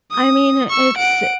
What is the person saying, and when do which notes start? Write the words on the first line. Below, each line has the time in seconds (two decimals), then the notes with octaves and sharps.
I mean, it's
0.11 D#6
0.69 C#6 E6
0.98 F#5 D7